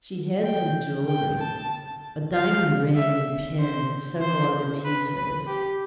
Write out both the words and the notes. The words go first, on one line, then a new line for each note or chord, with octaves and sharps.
She had some jewelry--a diamond ring and pin and several other pieces.
G5
G5
A5
F5
E5
C5
C5
B4
B4
G4